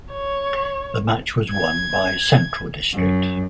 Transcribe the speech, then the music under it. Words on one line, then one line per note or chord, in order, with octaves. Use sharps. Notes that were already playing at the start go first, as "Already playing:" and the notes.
The match was won by Central District.
C#5
G#6
F#2